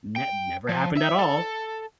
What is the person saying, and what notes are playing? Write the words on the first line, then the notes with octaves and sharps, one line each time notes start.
ne never happened at all,
G5
F3
E5
A4